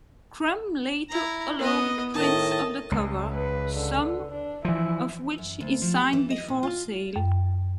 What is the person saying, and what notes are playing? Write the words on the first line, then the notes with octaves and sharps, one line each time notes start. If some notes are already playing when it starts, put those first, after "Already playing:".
Crumb later allowed prints of the cover, some of which he signed before sale.
E4 A#5
B3 D#5
A2 D#3 D#5 A5
C#2
B4
D3
D4
E3 F3 E4
F#2
D2
F3
G4
E3
D#5
A#2
F4
F#2